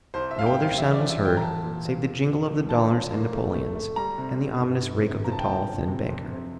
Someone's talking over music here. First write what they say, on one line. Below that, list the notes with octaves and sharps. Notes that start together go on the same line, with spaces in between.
No other sound was heard save the jingle of the dollars and napoleons, and the ominous rake of the tall, thin banker.
C2 C5
E5
C2 F5
G5
G3 F5
F5
E2 E5
F3 D5
E5
E2 G5
A#5
F3 A5
A#2
A#2
E1
E1
E1
D2 A5
F3
A#3
A3
A3
A3
G3 A#5
C3
G3
G1
G1
C3
F3 A#5
A5
G5
D2 A5
F3
C3
F2
C3